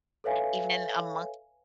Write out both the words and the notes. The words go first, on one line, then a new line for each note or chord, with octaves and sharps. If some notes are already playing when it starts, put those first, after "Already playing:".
even in among
A4 B4 C#5 E5 F5 G#5